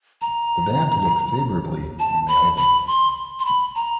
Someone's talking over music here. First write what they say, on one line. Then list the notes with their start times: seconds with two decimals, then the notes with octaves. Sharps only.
The band look favourably on the album.
0.21 A#5
1.99 A5
2.28 B5
2.57 B5
2.87 C6
3.39 C6
3.45 B5
3.75 A#5